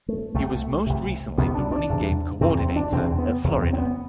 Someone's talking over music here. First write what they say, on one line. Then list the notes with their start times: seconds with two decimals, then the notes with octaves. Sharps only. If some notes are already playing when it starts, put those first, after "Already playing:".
He was most recently the running game coordinator at Florida.
0.09 A3
0.34 C2 C3 A3
0.87 C2 C3
1.38 C2 C3 B3
1.55 D4
1.71 D4
1.89 E2 C3
2.41 E2 C3 C4
2.59 C4
2.76 D4
2.92 E2 C3 C4
3.18 B3
3.44 E2 C3
3.61 C4
3.73 C4
3.78 B3